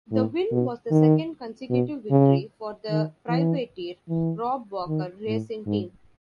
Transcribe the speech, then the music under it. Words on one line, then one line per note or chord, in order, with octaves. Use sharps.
The win was the second consecutive victory for the privateer Rob Walker Racing Team.
A2
B2
D#3
B2
C#3
D#3
E3
E3
D#3
A2
G#2